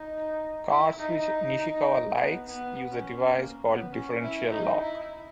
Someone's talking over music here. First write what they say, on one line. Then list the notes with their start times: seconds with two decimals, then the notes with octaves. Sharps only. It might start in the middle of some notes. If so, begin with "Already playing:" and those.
Cars, which Nishikawa likes, use a device called differential lock.
Already playing: D#4
0.70 E4
0.99 D#4
1.28 D#4
1.58 D#4
2.17 B3
2.46 B3
2.91 C#4
3.34 A#3
3.64 B3
3.93 C#4
4.22 E4
4.52 D#4
4.81 E4